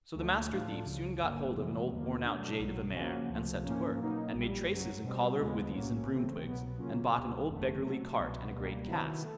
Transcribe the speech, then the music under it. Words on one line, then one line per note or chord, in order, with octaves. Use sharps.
So the Master Thief soon got hold of an old worn-out jade of a mare, and set to work, and made traces and collar of withies and broom-twigs, and bought an old beggarly cart and a great cask.
D2 D3 F#3 A3
A2 F3 A3 D4 F4
C#2 C#3 F3
G1 G2 D3 G3 A#3
F2 C3 E3 G#3 B3
D#2 D3 F3 A#3
B2 F#3 A3 D4
B1 B2 F#3
C#3 F3 A#3 C#4 F#4
C#2 C3 F3 A3
G#2 F3 A#3 C#4
B2 F#3 A#3 D#4
A#1 A#2 G3
F#2 C#3 F#3
B2 G3 C4
D#2 C#3 F3 G#3 B3
B1 A2 F#3 A#3 C#4
C#3 E3 A3 C4
C2 B2 F#3 B3
C#3 F#3 A#3 C#4 F4
C#2 B2 G3 B3
G1 F2 D3 F3 A3
B2 F#3 A3
C2 B2 F#3 B3
C#2 B2 G3 A#3
C3 D#3 F#3 B3 E4
A3